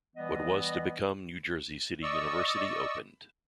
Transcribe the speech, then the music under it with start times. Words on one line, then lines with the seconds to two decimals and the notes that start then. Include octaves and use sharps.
What was to become New Jersey City University opened.
0.16 E3 G3 B3 D#5
2.03 D5 D#5 C#6 D#6 E6